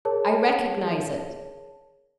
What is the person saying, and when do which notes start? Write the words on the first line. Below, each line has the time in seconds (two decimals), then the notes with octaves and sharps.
"I recognize it!"
0.05 G#4 A#4 C#5 A5